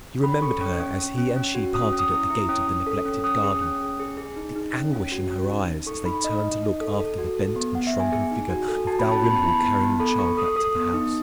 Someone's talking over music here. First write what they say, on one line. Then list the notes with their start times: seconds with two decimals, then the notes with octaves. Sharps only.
He remembered her as he and she parted at the gate of the neglected garden, the anguish in her eyes as they turned to look after the bent and shrunken figure of Dalrymple carrying the child back to the house.
0.24 C#4 B5
0.42 A4 C#6
0.61 C#4 C#6
0.80 C#4
0.99 C#4
1.18 C#4
1.36 C#4
1.55 F#4
1.74 C#4 D#6
1.93 C#4
1.99 D#6
2.11 E4
2.30 E4
2.49 C#4 D#6
2.67 C#4
2.86 A4
3.05 C#4
3.24 C#4 D#6
3.43 G#4
3.62 C#4
3.80 C#4
4.00 G#4
4.17 G#4
4.36 D#4
4.56 D#4
4.74 C#4
4.93 C#4
5.12 F#4
5.31 C#4
5.49 D#4
5.68 D#4
5.87 A4 C#6
6.05 D#4 B5
6.24 D#4 D#5
6.44 D#4
6.62 D#4
6.81 A4
7.00 A4
7.18 F#4
7.36 A4
7.56 B3
7.75 B3 F#5
7.87 E5
7.94 B3
8.00 G#5
8.12 G#4
8.31 D#4
8.49 F#4
8.68 A4
8.87 F#4 A5
8.99 B5
9.06 C#4
9.11 A5
9.23 B3 B5
9.36 A5
9.44 E4 B5
9.60 B3 A5
9.81 B3
10.00 A4 B5
10.18 A4 C#6
10.37 A4 D#6
10.56 A4 D#6
10.75 B3
10.94 D#4